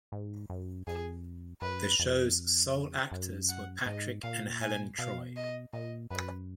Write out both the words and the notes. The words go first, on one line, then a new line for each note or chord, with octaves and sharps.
The show's sole actors were Patrick and Helen Troy.
G#2
F#2
F2 G#4
F#2 B4
F2
F#2
F#5
G#2 D#5
A#2 F5
G#5
B2 F5
D#5
A#2 D#5
F#2 B4